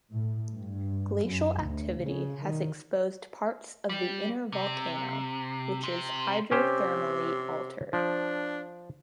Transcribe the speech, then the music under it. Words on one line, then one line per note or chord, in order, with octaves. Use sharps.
Glacial activity has exposed parts of the inner volcano, which is hydrothermally altered.
A2
G2
F#2
D2
C#3
D#3
G3
C3
C3
C3 C#4 G4 C5
F3 D4